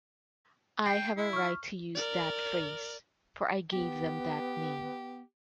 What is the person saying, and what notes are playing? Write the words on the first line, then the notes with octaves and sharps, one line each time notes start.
I have a right to use that phrase, for I gave them that name.
G5 C7
E4
C#6 F6
A#4 D5
B3 G4